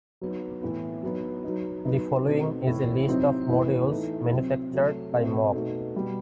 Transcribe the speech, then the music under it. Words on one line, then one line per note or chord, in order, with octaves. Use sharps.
The following is a list of modules manufactured by Moog.
F#3 B3 D#4
A2 E3 B3 E4
F#3 B3 D#4
F#3 B3 D#4
F#3 B3 D#4
B2 A3 C4 D#4
A2 E3 A3 E4
C3 F#3 C4 D#4
A2 E3 B3
E3 A3 D#4
C3 F#3 C4
C3 F#3 A3
B2 A3 C4
B2 A3 D#4
B2 G3 B3